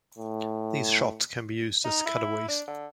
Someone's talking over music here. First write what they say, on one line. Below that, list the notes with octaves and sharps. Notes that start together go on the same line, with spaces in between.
These shots can be used as cutaways.
A2
D#4
E4
D4
D3